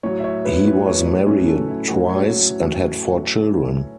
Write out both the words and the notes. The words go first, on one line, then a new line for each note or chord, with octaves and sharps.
He was married twice, and had four children.
A2 F#3 C#5
E5
C#5
B4
A2 F#3 B4
C#5
C#5
A2 F#3 C#4
A4
E4
A2 F#3 F#4
C#5